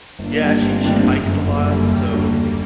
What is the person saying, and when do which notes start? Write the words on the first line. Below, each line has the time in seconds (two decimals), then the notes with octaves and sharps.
Yeah, she she hikes a lot, so
0.19 G1 A#3 D4
0.41 G2 D#3 G3 D4
0.62 G1 A3 C4
0.84 G2 D#3 G3 D4
1.04 F#1
1.26 F#2 D3
1.47 F#1 G3 A#3
1.68 F#2 D3
1.90 D#2 G3 A#3
2.11 D3 A3 D4 F#4
2.32 D#2